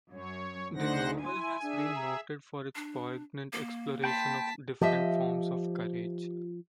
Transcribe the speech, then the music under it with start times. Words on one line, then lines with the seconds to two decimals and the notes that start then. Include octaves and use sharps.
The novel has been noted for its poignant exploration of different forms of courage.
0.12 F#2 C#5
0.75 D2 D#4 C5 F#5 A#6
1.25 E4 G#5 C6
1.62 D4 G#4 E5
1.96 A#5
2.75 D4
3.53 A#3
4.04 G5 A5 B5 C6 B6
4.81 F3 G4 D#5 E5